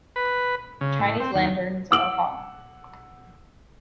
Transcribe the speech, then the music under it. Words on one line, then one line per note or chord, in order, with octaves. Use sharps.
Chinese lanterns are hung.
B4
C#3
A2
C4
D#2
F#5 D6 E6 D7 F#7